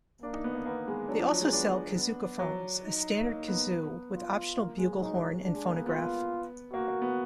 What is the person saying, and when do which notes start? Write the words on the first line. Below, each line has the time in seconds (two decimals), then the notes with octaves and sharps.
They also sell Kazookaphones, a standard kazoo with optional bugle horn and phonograph.
0.22 A#3 D4
0.33 D#4
0.44 B3
0.55 A#3
0.66 A#3 B3
0.88 G#3
1.09 F#3 D4
1.20 F3
1.31 F#3
1.41 G#3
1.52 B3 D4
1.96 B3
2.39 F#3
2.82 D#4
3.26 A#3
3.48 B3
4.13 F4
4.56 A#3
4.78 G#3
5.00 F#3 D#4
5.14 F#3
5.29 F#3
5.43 D4
5.54 G#3
5.65 A#3
5.76 B3
5.86 B3 F4
6.73 A#3 F#4
6.88 A#3
7.02 B3